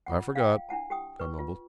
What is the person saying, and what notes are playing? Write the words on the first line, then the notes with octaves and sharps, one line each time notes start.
"I forgot," I mumbled.
F4 F#5
F5 G5
D4 E4 F#5 A5
G4 G5 D#6
B4 C#6
F4